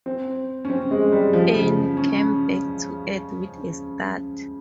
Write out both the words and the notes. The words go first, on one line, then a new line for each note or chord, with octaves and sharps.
Anne came back to earth with a start.
C4
C#4
C4
G#3
G3
F3
C#3
C#4